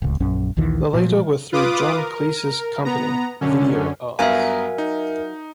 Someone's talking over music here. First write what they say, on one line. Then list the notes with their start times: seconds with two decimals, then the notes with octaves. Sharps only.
The latter were through John Cleese's company Video Arts.
0.02 D1 C#2
0.20 A#1 F#2 C#4
0.57 A#1 D#2 D#3 E3
0.93 A#2 F3 F#3
1.52 F4 B4 D6 D#6
1.97 A#4
2.85 B3 A#5
3.41 F#2 D3 C#4
4.19 G2 F#3 B3 A#4 E5 F5 G#5 A#5
4.78 D#4